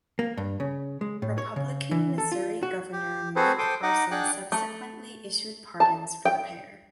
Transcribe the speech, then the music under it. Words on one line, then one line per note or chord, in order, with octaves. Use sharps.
Republican Missouri Governor Mike Parson subsequently issued pardons for the pair.
A#3
G2
C#3
G#3
A2
C#5
C#3
E3
A4
F4
F#4
G4
C4 F#4 G#4 A4 B4 C5
A4 C5 G5 C6 D6 D#6
D#4 D#5 F#5 D6
D4 G#4 F#5 G5 D6 F#6
A3
A5
G5